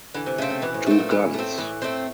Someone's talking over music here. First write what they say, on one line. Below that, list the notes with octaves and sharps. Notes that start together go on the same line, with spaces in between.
Two guns.
D3 E3
C3
C#3 A3 C4
C3
B2 E3
A2
B2 A3 C4
A#2
A2 E3
A3 C4
A2 E3
A3 C4